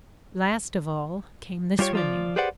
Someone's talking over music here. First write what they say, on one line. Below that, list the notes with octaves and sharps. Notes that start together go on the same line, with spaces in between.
Last of all came the swimming.
G3 F4 G4 C#5
F3 F4 D5
G4 G#4 B4 C5 D5 F#5